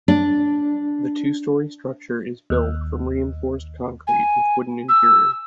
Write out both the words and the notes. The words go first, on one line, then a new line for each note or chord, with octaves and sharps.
The two-story structure is built from reinforced concrete with wooden interiors.
D4
D#2
G#5
E6